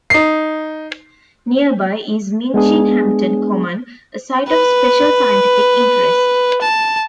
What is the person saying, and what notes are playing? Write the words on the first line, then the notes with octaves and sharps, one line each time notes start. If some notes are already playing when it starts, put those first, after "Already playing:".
Nearby is Minchinhampton Common, a Site of Special Scientific Interest.
D#4 C7
G#3 B3 D4 G#4
B4
A5